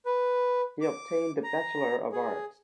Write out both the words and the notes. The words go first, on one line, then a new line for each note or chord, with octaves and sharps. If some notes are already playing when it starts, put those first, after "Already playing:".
He obtained the Bachelor of Arts.
B4
D6
A#5
G#4